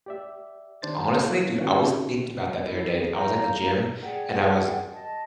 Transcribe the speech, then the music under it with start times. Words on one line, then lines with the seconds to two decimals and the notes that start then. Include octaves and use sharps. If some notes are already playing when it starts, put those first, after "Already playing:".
Honestly, dude, I was thinking about that the other day. I was at the gym, and I was
0.06 G4 D5 E5
0.82 D#3 D4 C5 A6
1.15 A#3 E4 B4 C#5
1.61 D3 A#3 C#4 D#4 F#4
2.62 E4
2.96 G#4
3.15 F5 A#5 G6
4.03 G#4 D5 F#5 G5
4.91 D#5 A5